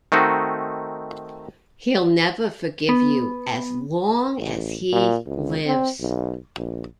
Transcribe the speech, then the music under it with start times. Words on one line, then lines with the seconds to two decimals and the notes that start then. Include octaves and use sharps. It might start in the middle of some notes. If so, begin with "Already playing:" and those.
He'll never forgive you as long as he lives.
0.12 D#3 A3 C4 D#4 F#4
2.89 B3
4.38 A1
4.92 A#2
5.26 C#2
5.66 C4
6.00 B1
6.57 A#1